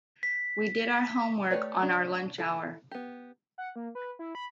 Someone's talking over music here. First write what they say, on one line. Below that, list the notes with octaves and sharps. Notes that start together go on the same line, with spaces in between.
We did our homework on our lunch hour.
B6
A3 G4 B4 C#5 D5
C#4 D4
E4 A4
B3 G4
F#5
A#3
B4
E4
B5